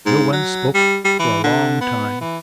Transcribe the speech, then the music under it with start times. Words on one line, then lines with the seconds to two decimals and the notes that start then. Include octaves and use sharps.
No one spoke for a long time.
0.06 G#2
0.33 F#3
0.74 G3
1.05 G3
1.19 E3
1.44 D3
1.81 B3
2.21 E3